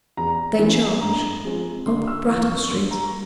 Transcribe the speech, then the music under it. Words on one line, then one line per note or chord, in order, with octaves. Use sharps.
They charge Up Brattle Street.
E2 A#5
E3 A#3 C#4
G2 A#5
F3 G#3 C4
G1 C6
E6
F2 E3 A#3 C#6
C#6
C#6
G2 C6
A#5